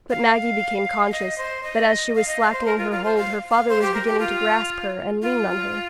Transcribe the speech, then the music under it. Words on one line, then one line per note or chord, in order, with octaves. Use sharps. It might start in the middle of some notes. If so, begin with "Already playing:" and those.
But Maggie became conscious that as she was slackening her hold her father was beginning to grasp her and lean on her.
F5
D#5
C5
D#5
F5
D#5
F5
C5
A#4
F4
F4
C5
F5
F5
C5
G4
A#4
G4
F4
F4